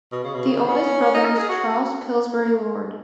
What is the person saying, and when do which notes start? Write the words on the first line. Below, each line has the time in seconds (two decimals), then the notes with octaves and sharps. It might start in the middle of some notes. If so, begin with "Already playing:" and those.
The oldest brother is Charles Pillsbury Lord.
0.12 B2
0.24 C#3
0.34 B2
0.46 C#3
0.57 D#3
0.69 C#4
1.14 D#4
1.25 A#4
1.38 G#4
1.49 F#4